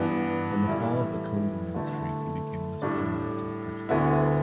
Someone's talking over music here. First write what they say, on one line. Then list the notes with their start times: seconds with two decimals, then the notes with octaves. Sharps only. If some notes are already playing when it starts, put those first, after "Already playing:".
On the fall of the Combes ministry he became less prominent in French politics.
Already playing: G2 E3 B3 D4
0.68 A2 E3 G3 E4
1.74 D3 A3 E4
2.82 A2 G3 D4
3.89 D2 D3 B3 E4